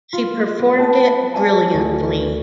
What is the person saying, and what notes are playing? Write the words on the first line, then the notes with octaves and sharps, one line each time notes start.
She performed it brilliantly.
F4
B3
B4 C#5 G5 A5
C#5 D5 E5 G#5 A5
D2